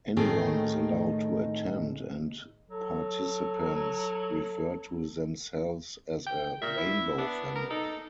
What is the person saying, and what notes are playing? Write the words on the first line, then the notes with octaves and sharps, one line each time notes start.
Anyone is allowed to attend and participants refer to themselves as a "Rainbow Family".
A2 D#3 A3 C4 D#4 G#4
F#3 A4
G5
A#2 E5
E4
B3 D4
A#4
D#4 A4